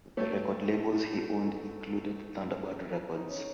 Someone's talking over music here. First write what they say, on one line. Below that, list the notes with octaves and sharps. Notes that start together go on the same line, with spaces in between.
The record labels he owned included Thunderbird Records.
F#3 A3
D#4
C#4